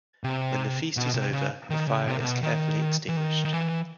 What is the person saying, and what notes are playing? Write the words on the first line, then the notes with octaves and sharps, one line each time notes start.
When the feast is over, the fire is carefully extinguished.
C3
B2
C3
C#3
D#3
C#3
C3
C3
B2
D#3
E3
D#3
D#3
E3